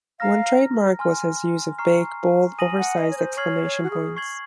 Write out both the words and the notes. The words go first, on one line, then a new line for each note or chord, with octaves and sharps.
One trademark was his use of big, bold, oversized exclamation points.
F5 A#5 F6 A#6
G#5 C6 F6
A#5 C#6 F6 C7
G#5 D#6 A#6 D#7 F#7
F#5
D#5
C#5
C5
C#5 C#6 F6 G#6 C7 F#7
C#5
F#4
G#4
C#6 G#6 C7 F#7